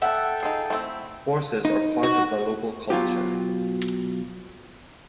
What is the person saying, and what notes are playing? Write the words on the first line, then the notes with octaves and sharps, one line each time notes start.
Horses are part of the local culture.
A4 E5 F#5 G5 A5
D#4 F4 G#4
A3 C4 E4
D#4
F#4
B2 F#3 F4 G4